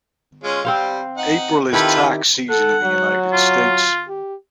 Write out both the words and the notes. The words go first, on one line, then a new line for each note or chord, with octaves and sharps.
April is tax season in the United States.
G#3 C#4 F4
G3 C4 C5 F5
D#4 F#5
D#3 E4 F4 G4 A4 B4
A4 F#5
F#3
F4
G4